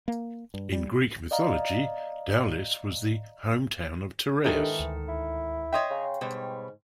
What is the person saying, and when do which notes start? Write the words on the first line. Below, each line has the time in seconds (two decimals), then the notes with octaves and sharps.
In Greek mythology, Daulis was the hometown of Tereus.
0.08 A#3
0.54 G2
0.72 G3
1.31 D5 D#5 F5 A#5
4.44 G#2 D#3 E3 D4 G4 A4 A#4
4.79 D2
5.08 E4
5.73 C#5 D#5 E5 G5 C6
5.90 C#3
6.21 G#2 B2 G3 C#5